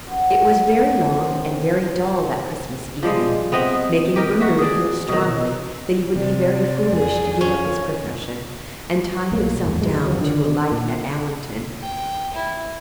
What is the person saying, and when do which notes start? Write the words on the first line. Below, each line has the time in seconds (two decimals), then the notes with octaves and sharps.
It was very long and very dull that Christmas evening, making Bernard feel strongly that he would be very foolish to give up his profession, and tie himself down to a life at Allington.
0.07 F#2 F#4
1.19 C3
3.03 F3 G3 G#3
3.52 B3 C4 D#5 E5
4.16 G4 A#4 D#5
4.40 F#4 E5
4.58 G#4 D5
5.08 B2 D#3
6.16 C3 D5
6.92 F2 G#4
7.41 C#4 F4
9.32 B1 A#3
9.65 E2 G#2
9.81 A1 G#2 F#3 G#3
10.07 G1 D#3 F3 F#3
10.20 D3 D#3
10.72 A#2
11.81 G5
12.34 E4